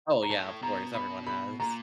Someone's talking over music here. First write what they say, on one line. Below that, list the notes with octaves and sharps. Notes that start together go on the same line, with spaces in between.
Oh, yeah, of course. Everyone has.
A#5
A2 A5
B2 A#5
B5
B5
A#2 A#5